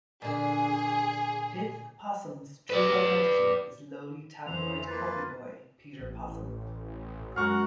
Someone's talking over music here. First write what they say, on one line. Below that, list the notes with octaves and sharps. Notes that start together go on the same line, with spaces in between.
Pith Possum's true identity is lowly tabloid copyboy Peter Possum.
A#2 D3 G#4
B4 D5
F2 E3 C5 F7
A#3 F4 B4 A6
A1
F#2 G#3 F#4 F#5 A#5 C#6 F6